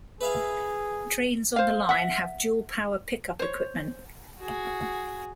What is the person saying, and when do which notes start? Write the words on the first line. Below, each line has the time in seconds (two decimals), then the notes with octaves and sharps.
Trains on the line have dual power pick-up equipment.
0.21 G#4 B4 E5 F5
1.56 C5 F5
1.89 E5 F#5
3.39 C5 C#5
4.39 F#4 G#4